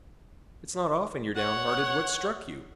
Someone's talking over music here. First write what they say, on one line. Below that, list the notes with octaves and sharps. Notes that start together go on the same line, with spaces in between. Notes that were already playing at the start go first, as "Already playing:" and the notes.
"It's not often you're downhearted. What's struck you?"
C#5 F#5